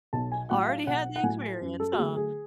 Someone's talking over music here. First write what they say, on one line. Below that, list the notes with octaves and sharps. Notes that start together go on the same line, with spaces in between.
Already had the experience, huh?
B1 A5
G#5
A2 F#3 F#5
F5
B1 F#5
F#5
A2 F#3 G#5
F#2
A4
F#4
D3 F#3 A3 G#4
G#4